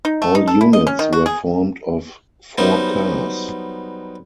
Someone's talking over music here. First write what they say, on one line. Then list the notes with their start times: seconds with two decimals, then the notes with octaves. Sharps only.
All units were formed of four cars.
0.05 D#4
0.22 A3
0.35 D#4
0.48 A4
0.61 E4
0.73 D#5
0.87 C#4
0.99 D#3
1.13 F#4
1.26 G#4
2.58 F#3 G3 B3 D#4 C5